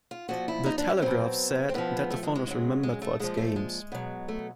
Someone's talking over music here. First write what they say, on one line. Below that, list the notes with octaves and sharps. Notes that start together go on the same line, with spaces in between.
"The Telegraph" said that the phone was remembered for its games.
F4
A#2 F3 F#4
E4
D#4
D4
C#4
B2 F#3 C4
C4
A2 F3 B3
A3
G#3
G#3
C#3 F#3
G#3
A3
A#2 F3 G#3
A3
G#3
B2 F#3
A3